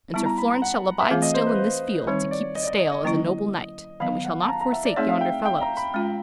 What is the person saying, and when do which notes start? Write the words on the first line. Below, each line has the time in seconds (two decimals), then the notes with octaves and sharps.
And Sir Florence shall abide still in this field to keep the stale as a noble knight, and we shall not forsake yonder fellows.
0.14 G3 B3 E4 A5
0.26 A#5
0.38 B5
0.50 A#5
0.62 F#5
1.00 E5
1.10 E3 A3 C4 F4 G#4 F5
1.22 D#5
1.34 C5
1.47 B4
1.59 C5
2.07 D#3 G3 C4 D#4 C#5
2.31 D5
2.55 D#5
2.63 D5
2.67 D#5
2.80 D#5
2.92 D#5
3.03 D3 F#3 A#3 C#4 E4
4.00 D#3 F#3 B3 F5
4.25 F#5
4.41 A5
4.49 A#5
4.61 A#5
4.73 E5
4.85 D5
4.96 A3 C4 D#4 G#4 C#5 E5
5.09 F5
5.21 G5
5.45 G5
5.61 A#5
5.77 B5
5.94 G#3 C#4 F4